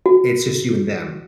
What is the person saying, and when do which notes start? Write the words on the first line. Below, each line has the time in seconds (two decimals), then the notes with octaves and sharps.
it's just you and them,
0.06 F#4